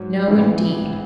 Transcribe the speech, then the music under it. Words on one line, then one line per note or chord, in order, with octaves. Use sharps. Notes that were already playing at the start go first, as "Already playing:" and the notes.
"No, indeed."
Already playing: G#2 F#3
A1 G#2 E3 G#3 B3